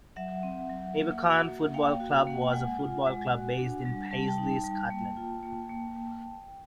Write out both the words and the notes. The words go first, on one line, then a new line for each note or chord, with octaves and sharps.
Abercorn Football Club was a football club based in Paisley, Scotland.
F#3 E5 F#5
C4
F#3
A#3
F#4
A#3
A#3 F5 G5
F#4
F5
A#3 F#5
G5
G#3 F#5 G#5
F4
G#3
F#4
D4
G3
G3 A5
G5 A5
D#4
G3
A#3
F4
A#3
A#3